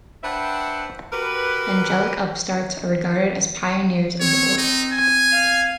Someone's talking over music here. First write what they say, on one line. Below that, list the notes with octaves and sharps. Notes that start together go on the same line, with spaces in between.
Angelic Upstarts are regarded as pioneers of the Oi!
D4 B4 C5 E5 F#5 G5
F#4 G4 A#4 B4
C4 C#5
D#4
G#5
F5